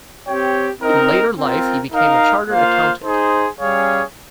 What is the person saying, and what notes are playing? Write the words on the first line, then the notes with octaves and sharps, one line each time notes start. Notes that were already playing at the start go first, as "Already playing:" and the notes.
In later life he became a Chartered Accountant.
C4 G4 C#5 G5
C4 D#4 A#4 D#5
C4 F4 A#4
D#4 A#4 F5
A#3 F4 C5 F5
D#4 G#4 C5
G3 C#4 G#4 C#5 F5